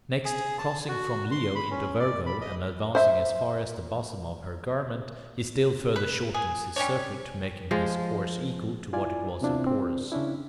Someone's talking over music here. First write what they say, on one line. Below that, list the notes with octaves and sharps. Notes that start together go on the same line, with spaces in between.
Next, crossing from Leo into Virgo, and advancing as far as the bosom of her garment, he still further shortens his circuit, making his course equal to what it was in Taurus.
G#4
A5
F#4
C6
B5
C#4
D5
B5
D#5
C5 E5
B4
G#4
G3 C#4 D4 C#5
F3 G#3
E4 F4 D5 G#5
C3 B3 C4 D4 E4 F4
C4
C#3 C#4 D4 E4